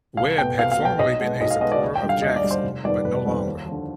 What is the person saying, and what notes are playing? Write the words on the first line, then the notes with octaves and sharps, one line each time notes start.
Webb had formerly been a supporter of Jackson, but no longer.
C2 F5
B2 B3 G5
C2 F5
F5
B2 B3
G5
B1 D#5
B2 G#3 B3
B1 D#5
F5
B2 G#3 B3 D#5
D5
D#2 D#5
G5
D3 G3
F5
D#2 D#5
D5
D3 G3
C5
F1
F2 D#3 G3 B3 D5
F1 B4
F2 D#3 G3 B3
D#2
F3
D3